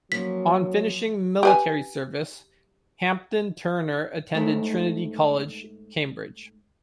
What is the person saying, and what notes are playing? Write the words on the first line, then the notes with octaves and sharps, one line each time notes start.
On finishing military service, Hampden-Turner attended Trinity College, Cambridge.
F3 F#3 A#3 C#4 B6
G4 B4 G#5
G#2 A3